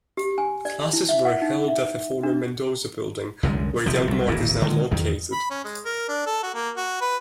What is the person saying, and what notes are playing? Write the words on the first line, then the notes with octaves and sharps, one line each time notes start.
Classes were held at the former Mendoza Building, where Young Mart is now located.
G4
G#5
D5
E4
E5
F#5
D#4
E5
D4
C2 F#2 D3 G#3
D#1 C3 F3
C2 F#3
D1 G#1 A#2 E3
D3 D#3 G#3
E2 D#3
B5
C#4
G#3
A#4
D4
A4
F#4
A#3
F#4
B4